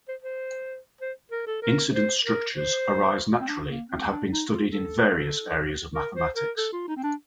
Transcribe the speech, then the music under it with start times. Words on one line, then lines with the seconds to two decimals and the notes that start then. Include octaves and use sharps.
Incidence structures arise naturally and have been studied in various areas of mathematics.
0.09 C5
0.22 C5
1.01 C5
1.32 A#4
1.47 A4
1.63 A#4
1.93 C5
2.25 A#4
2.55 C5
3.41 C4
3.48 D4
3.69 A#3
3.89 C4
4.10 D4
4.31 D#4
4.51 F4
4.72 A4
5.95 A#4
6.15 C5
6.36 A#4
6.57 A4
6.73 F4
6.88 D#4
6.96 C4
7.04 D4